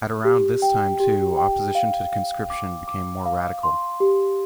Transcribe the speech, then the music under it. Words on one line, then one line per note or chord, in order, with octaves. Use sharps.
At around this time, too, opposition to conscription became more radical.
G4
G5
G4
G5
F5
F5
D6
D6
F5
C6
G4